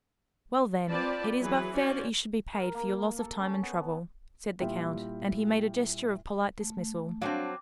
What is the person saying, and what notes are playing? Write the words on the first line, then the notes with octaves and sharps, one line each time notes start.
"Well, then, it is but fair that you should be paid for your loss of time and trouble," said the count; and he made a gesture of polite dismissal.
C4 F4 B4 D5 A5 B5
E3 F#3 G#4 B4
C#4 F#4 C5 D5
A#4
A#3
A4
C#4
B3
A#2 G3 E4 F4 E5 G5
A3
F#3 C4 D4 F5 D6